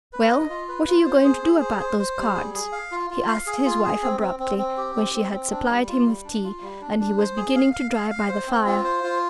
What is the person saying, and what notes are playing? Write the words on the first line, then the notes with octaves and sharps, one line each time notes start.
"Well, what are you going to do about those cards?" he asked his wife abruptly when she had supplied him with tea, and he was beginning to dry by the fire.
B4
D#5
F4
B4
F4
C5
G#4
G#4
C5
C5
C5
G3
G#4
G#4
F5
F4
F4
F5
G#4
F4
G#4
C4
C4
C4
C4
G4
C4
C4
C4
D4
G3
F4
G3
D4
F4
G3
D4
D4
C5
G#4
F5
F5
F5
F5
C5
C4
F4
C5
F4